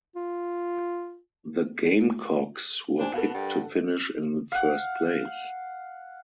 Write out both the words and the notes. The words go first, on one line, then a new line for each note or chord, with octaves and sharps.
The Gamecocks were picked to finish in first place.
F4
D4 C5 G5 G#5
B2 A4 A#4 F#5
G2
F5 F#5